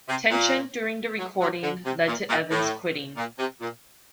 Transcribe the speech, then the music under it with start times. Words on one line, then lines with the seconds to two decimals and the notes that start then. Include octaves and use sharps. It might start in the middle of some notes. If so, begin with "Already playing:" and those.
Tension during the recording led to Evans quitting.
0.08 C3
0.31 A#2
1.19 F#3
1.40 F#3
1.63 D3
1.85 C3
2.07 A#2
2.28 A#2
2.51 A2
3.17 A#2
3.39 C3
3.61 A#2